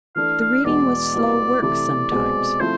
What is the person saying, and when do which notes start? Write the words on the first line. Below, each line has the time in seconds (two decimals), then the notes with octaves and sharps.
The reading was slow work sometimes.
0.16 E3 A3 D4 A4 F5
0.41 F5
0.65 E2 B2 G#3 B3 D5
1.13 C2 B2 B3 E4
1.62 C3 E3 A3 E4 D5
2.11 B2 G#3 C4 G#4
2.60 F3 A3 C4 E4 C5